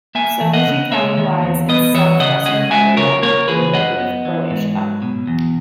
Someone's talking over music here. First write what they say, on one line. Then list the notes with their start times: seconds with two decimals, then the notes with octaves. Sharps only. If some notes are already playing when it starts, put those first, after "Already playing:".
Somogy county lies in south-western Hungary, on the border with Croatia.
0.15 A#3 E5 G#5
0.41 E3
0.53 D#5 F#5
0.66 C#3
0.92 A#3 C#5 E5
1.17 D#3
1.43 E2
1.69 B3 B4 D#5
1.94 E3 C#5 E5
2.20 C#3 D#5 F#5
2.45 C#4 D#5 F#5
2.71 G#3 E5 G#5
2.97 C#3 A#4 C#5
3.22 A#3 A#4 C#5
3.48 E3 G#4 B4
3.74 F#2 D#5 F#5
3.99 B3
4.25 E3
4.50 G#2
4.76 F#3
5.02 B2
5.27 E2